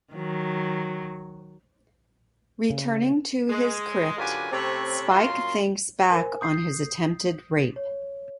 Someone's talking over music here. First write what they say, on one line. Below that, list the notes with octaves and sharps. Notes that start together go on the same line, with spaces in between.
Returning to his crypt, Spike thinks back on his attempted rape.
D#3 F#3
C#3
G#3
F#2 D3 F4 G4 B4 G#5
C3 A3 C4 C#4 C#5 B5
F#2 A#2 F4 C6
A#4 C5 G#5
D#6 G6 C7
C#5